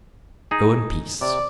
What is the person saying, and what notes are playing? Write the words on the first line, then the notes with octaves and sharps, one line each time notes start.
Go in peace!
D#4 G#4
C3 D5